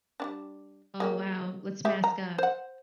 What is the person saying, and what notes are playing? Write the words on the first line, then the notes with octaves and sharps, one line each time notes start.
Oh, wow. Let's mask up.
G3 C#4 D4
G#3 A#3 G4
G#3 G4 E5
A#5
C5 F#5